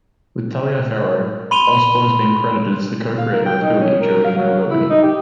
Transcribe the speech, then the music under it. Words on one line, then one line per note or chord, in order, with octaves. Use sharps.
With Taliaferro, Osborne has been credited as the co-creator of Huey, Dewey and Louie.
B5 C6 D#7 F7 G7
F5
A#4
G5
D#4
C#4
A#4
F5
F#3
E4
D#4
G4